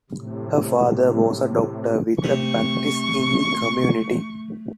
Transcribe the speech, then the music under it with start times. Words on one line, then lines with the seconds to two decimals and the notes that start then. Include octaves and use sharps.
Her father was a doctor with a practice in the community.
0.10 A2 C3
2.24 C3 A3 C#6